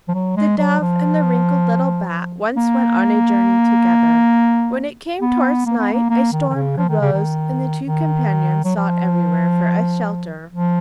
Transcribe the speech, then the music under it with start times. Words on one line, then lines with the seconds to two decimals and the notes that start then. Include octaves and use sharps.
The Dove and the wrinkled little Bat once went on a journey together. When it came towards night a storm arose, and the two companions sought everywhere for a shelter.
0.08 F3
0.14 F#3
0.37 G#3
0.58 F#3
0.81 F3
2.57 A#3
5.22 B3
5.66 A#3
5.79 B3
5.93 A#3
6.10 A#3
6.33 D#3
6.49 D#3
6.55 C#3
6.77 F3
6.89 D#3
7.01 C#3
7.13 D#3
7.87 D#3
8.65 F#3
8.76 F3
10.53 F3